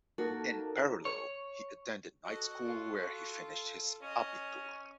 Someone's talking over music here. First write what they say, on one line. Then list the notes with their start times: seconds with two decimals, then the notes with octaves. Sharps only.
In parallel, he attended night school where he finished his Abitur.
0.18 A#3 D#4 F#4 A4 A5
1.05 C#5
2.25 F#4 A4 D#5
2.61 F4 A4
4.02 C#4 D#5